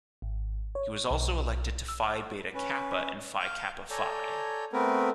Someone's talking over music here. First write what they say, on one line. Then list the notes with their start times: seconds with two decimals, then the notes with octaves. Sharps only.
He was also elected to Phi Beta Kappa and Phi Kappa Phi.
0.22 G#1
0.75 C#5
1.11 B1
1.88 E6
2.54 C#4 B4
3.40 F5 F6 G6
3.90 A4 C#5 D5 G#5 A#5 G6
4.73 A3 B3 C4 A#4 B4